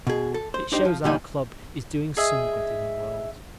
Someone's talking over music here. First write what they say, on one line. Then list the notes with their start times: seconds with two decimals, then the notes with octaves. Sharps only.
It shows our club is doing some good in the world.
0.07 B2 G#4
0.34 A4
0.54 C5
0.72 D4 D#4 G4 C5
0.85 F3
1.04 A#2 E3 G3 A#3 D#4 G#5
2.17 G#4 D#5 E5